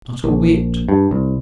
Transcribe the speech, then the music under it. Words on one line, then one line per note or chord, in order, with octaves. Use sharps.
"Not a whit."
A#1
G2
C2